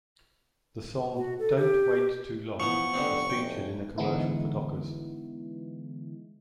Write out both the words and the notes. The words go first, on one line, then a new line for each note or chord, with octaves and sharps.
The song "Don't Wait Too Long" was featured in a commercial for Dockers.
F#4
A4
G4
E3 F3 B3 C#6
F1 D3 B3 C4
G5
D3 E3 G#3 B3 D#4 E4